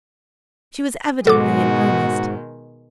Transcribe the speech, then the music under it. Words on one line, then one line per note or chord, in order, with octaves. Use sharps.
She was evidently in earnest.
C#2 G#2 B2 D#3 G#3 F#4 A4 D6